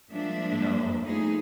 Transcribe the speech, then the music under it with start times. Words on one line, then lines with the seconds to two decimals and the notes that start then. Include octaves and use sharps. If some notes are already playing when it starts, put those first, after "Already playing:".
you know
0.10 F3 G3 G#3 A#3 D4 E5
1.03 F3 A3 B3 D#4 G#4